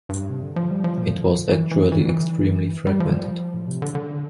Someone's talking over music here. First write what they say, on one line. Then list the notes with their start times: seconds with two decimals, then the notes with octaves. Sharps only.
It was actually extremely fragmented.
0.09 G2
0.29 C3
0.43 D3
0.56 F3
0.71 G3
0.84 F3
0.97 A#2
1.11 D3
1.31 F3
1.52 E3
1.71 E3
1.92 E3
2.00 D3
2.09 E3
2.87 G3
3.00 F3
3.54 A2
3.68 C3
3.82 D3
3.95 D3